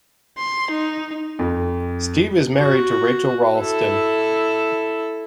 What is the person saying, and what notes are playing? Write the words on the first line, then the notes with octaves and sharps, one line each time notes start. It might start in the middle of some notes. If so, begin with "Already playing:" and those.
Steve is married to Rachel Ralston.
C6
D#4
F2
F#4
E4 A4